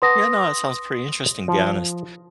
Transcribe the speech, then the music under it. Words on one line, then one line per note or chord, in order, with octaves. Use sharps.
Yeah, no, that sounds pretty interesting be honest.
B4 F#5 A5 C6 D#6 A#6
F3